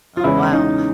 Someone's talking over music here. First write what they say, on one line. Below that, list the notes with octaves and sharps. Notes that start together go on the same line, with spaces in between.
Oh, wow.
F4
E2 C#3 E3 G#3 C#4 E4
D#4